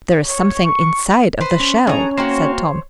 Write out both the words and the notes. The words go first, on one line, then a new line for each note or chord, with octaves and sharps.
"There is something inside of the shell," said Tom.
C#5
C#6
B4 C5
C#4
C#4 D4 G#4 A4 G#5 A#5
A#3 C4 F#4 C5 C#5